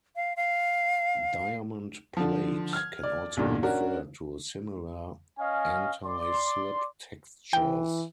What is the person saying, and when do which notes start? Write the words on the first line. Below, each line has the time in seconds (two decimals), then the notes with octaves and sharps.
"Diamond plate" can also refer to similar anti-slip textures.
0.16 F5
0.37 F5
2.17 D3 F3
2.73 F6 G#6
3.03 D5
3.37 B1 G2 A#2 D3
3.63 C#4 D4 F#4 A#4
5.39 C#4 D#5 F5 G#5
6.05 D5 C6
7.53 E3 G5